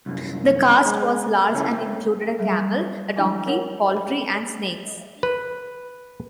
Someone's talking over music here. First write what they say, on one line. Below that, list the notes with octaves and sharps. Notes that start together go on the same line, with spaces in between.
The cast was large and included a camel, a donkey, poultry and snakes.
C2 F#2
G#3
C#2 G#3 C#4 E4 A4
A3 C4
F#3 G3 G#4 E5
E3 F#3 G#3 D4 E4 G#5
A#4 C#5 F#5
B5
B4